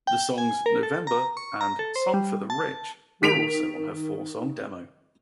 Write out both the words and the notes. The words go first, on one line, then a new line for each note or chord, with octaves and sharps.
The songs "November" and "Song for the Rich" were also on her four-song demo.
G5
G#5
A#4
A4
A#5
C#6
A#5
A4
C5
G3
A5
D#3 B6 D7 F7